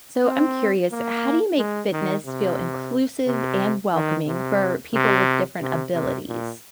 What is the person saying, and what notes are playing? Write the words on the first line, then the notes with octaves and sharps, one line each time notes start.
So, I'm curious, how do you make fitness feel inclusive and welcoming for people with different abilities?
C4
A#3
G#3
D#3
C3
C3
D#3
C3
C3
C3
C3
A#2